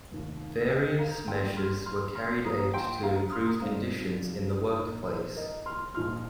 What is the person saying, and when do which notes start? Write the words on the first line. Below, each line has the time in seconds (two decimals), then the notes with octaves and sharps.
Various measures were carried out to improve conditions in the workplace.
0.11 F1 D#2 D#3
0.70 D#5 G5
0.98 F5 A#5
1.28 G2 G3 A#3 G5 C6
1.57 C6 F6
1.86 C6 F6
2.15 C6 F6
2.45 A#1 A#2 A#3 A#5 D#6
2.74 G5 C6
3.03 F5 A#5
3.32 C6 F6
3.47 A#5 D#6
3.61 G2 G3 C4 D#4 C5 F5
4.78 A#1 A#2 A#3 D#4 A#4
5.07 C5
5.36 A#4 D#5
5.66 C6 F6
5.95 A#1 A#2 F3 D#4 C6 F6